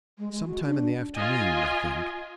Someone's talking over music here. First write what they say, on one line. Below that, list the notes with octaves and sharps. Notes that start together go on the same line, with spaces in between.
Some time in the afternoon, I think.
G#3
G#3
F#4
D4
F4 D#5 G#5